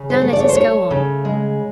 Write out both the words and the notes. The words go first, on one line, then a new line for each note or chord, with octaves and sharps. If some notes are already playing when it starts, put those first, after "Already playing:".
Now let us go on.
Already playing: C#3
C5
A3
D5
C#5
C5
A3 C#5
C#3
G#3